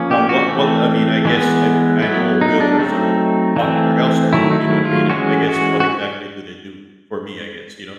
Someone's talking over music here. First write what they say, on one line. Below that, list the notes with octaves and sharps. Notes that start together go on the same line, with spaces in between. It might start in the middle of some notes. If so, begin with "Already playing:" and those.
um, what what I mean, I guess I I know realtors are popular elsewhere, you know what I mean, and I guess what exactly do they do for me, I guess, you know.
Already playing: F3 A#3 C#4
G4
F#4
E3 A3 C4
E3 G#3 B3
F#3 B3 E4
D#4
D4
F#3 A3 C4 D#4
E3 A3 C4
D#3 F#3 A3 E4
D#4
E4
F4
E3 G#3 C#4 F#4
F#4
F#4